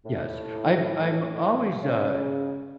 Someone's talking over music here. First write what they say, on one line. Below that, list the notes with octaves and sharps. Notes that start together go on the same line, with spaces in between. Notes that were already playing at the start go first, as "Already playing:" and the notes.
Yes. I'm I'm always, uh,
A2
C#3